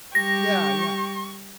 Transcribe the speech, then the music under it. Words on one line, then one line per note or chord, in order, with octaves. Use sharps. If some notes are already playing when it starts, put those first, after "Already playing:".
Yeah, yeah.
G3 G4 C#6 A#6